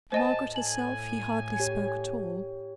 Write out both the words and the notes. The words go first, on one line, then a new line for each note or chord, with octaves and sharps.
To Margaret herself he hardly spoke at all.
A2 C5 D#5 G#5 A5
G#5 F#7
G4 C#5